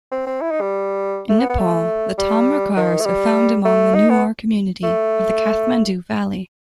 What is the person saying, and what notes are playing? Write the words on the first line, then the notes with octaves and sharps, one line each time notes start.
In Nepal, the Tamrakars are found among the Newar community of the Kathmandu Valley.
C4
C4
E4
D#4
G3
A3
B3
B3
A3
G3
D#3
A3
G3
A3
D#4
B3
A3